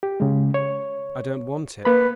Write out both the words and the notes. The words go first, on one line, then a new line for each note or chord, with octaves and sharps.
I don't want it.
G4
C#3 G#3
C#5
A#3 B4 B5